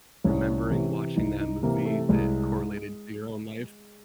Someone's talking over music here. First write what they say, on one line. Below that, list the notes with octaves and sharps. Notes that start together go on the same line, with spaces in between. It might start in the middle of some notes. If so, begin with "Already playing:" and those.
remembering watching that movie that correlated to your own life?
C2 C#4
C3 E3
C2 D#4
D#4
C3 E3 A#3
A3
C2 G#3